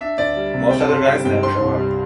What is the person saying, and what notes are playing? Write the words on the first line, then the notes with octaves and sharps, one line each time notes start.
Most other guys never show up.
D4 E5
D2 D5
G3
C3
C4 G5
A5
G1 C6
A5
G3 G5
G2 G5
D4 C6
C2
G3